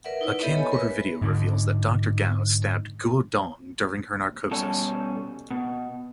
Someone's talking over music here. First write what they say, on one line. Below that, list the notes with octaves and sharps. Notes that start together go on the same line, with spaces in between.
A camcorder video reveals that Doctor Gao stabbed Guo Dong during her narcosis.
A#4 B4 D5 E5 F#5
D#4 E4 B4 D5
B3 G4 A4 C#5 D#5 E5
A4 C#5 G#5 B5
A#4 B4 E5
G#2 D3
B2 G3 C#4 A4
B2